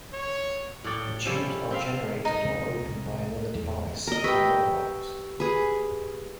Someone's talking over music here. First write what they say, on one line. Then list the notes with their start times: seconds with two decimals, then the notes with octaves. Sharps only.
The tubes are generated or opened by another device, a Mother Box.
0.13 C#5
0.84 A2 C#5 D5 G5
1.25 F3 G3 C#4 E4
1.71 C4 E5 F5
2.25 D#4
2.45 C#3 C4
2.81 C2 A2
3.55 E2
4.07 A#4 D#5
4.24 G4 B4 G5 C#6 E6
5.40 G#4 B4